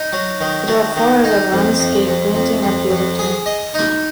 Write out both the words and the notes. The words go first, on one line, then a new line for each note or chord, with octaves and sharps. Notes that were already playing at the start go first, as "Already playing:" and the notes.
It offered a landscape printing ability.
Already playing: D#4
F#3
D#3
F#3
D#3
D#4
F2
F2
F2
F2
F2
F2
G#4
D#5
D#4